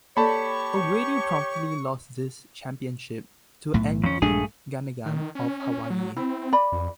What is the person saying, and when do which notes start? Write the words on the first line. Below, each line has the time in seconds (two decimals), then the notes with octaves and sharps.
O'Grady promptly lost this "championship" to Andy Ganigan of Hawaii.
0.17 A#3 G4 A4 C#5 D5 A5 B5 C#6
3.74 B1 A2 A3
4.04 F2 C#4
4.22 A#1 G2 G#3 A3 D4 G#4
5.06 D#3
5.35 C#4
5.90 F#3
6.17 C4 E4
6.53 D5 B5
6.72 F2